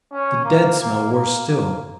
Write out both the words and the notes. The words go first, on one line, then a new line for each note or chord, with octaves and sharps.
The dead smell worse still!
C#4
A#3
A#3
A#3
A#3